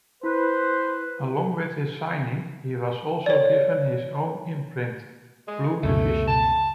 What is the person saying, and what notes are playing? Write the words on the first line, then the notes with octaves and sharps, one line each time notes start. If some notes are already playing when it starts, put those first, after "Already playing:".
Along with his signing, he was also given his own imprint, Blu Division.
E4 B4 C5
C#5 D5
G#3
C#2 F#2 B2 A3
A5